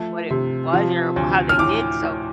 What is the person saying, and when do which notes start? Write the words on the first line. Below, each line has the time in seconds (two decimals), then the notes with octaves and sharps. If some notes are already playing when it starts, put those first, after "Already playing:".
what it was or how they did, so,
Already playing: F3 A3
0.30 C3
0.73 F3
1.16 D2
1.49 F6
1.59 A2 D6
2.03 A2